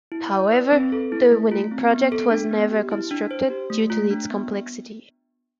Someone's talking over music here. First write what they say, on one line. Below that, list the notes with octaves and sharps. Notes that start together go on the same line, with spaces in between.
However, the winning project was never constructed due to its complexity.
E4
D5
B4
C4
A4
E4
A3
F4
C4
B3
A4
D4
B3
G4
E4
D4
C5
G4
A3
F4
D4
B3